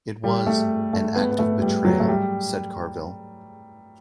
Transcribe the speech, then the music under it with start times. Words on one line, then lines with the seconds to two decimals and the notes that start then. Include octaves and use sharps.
It was "an act of betrayal," said Carville.
0.24 G3
0.47 A3
0.93 A3
1.15 B3
1.31 B3
1.39 A3
1.62 G3
1.85 F#3
2.00 A3
2.08 G3